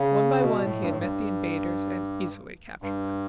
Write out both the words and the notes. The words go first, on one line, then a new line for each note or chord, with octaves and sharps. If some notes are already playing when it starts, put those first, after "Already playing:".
One by one he had met the invaders and easily captured them.
Already playing: C#3
B2
A2
G2
A2
G2
G2